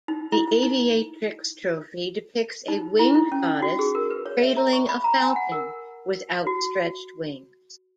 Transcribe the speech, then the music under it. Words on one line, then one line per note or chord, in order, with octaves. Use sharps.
The aviatrix trophy depicts a winged goddess cradling a falcon with outstretched wings.
D#4
E4
E4
D#4
D#4
E4
E4
C#4
D#4
F#4
G#4
A#4
B4
C#5
E5
A#5
C#6
B5
A#5
G#5
F#5
A#4
F#4